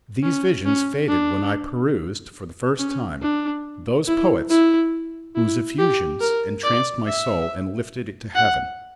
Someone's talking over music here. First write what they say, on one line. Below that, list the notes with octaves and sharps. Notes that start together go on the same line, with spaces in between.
These visions faded when I perused, for the first time, those poets whose effusions entranced my soul and lifted it to heaven.
C#4
C#4
D4
C#4
D4
E4
E4
E4
G4
A#4
D5
E5
F#5